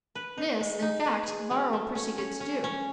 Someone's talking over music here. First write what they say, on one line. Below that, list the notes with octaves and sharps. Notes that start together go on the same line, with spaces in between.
This in fact Varro proceeded to do.
B4
D#4
G#3
D#4
B4
G#4
F#3
A3
C#4
C#4
C#4
C#4